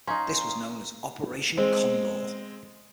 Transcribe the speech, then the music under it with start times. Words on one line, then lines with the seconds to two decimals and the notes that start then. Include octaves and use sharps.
This was known as Operation Condor.
0.07 C#4 D#4 F5 A#5 C6
1.57 G#3 C4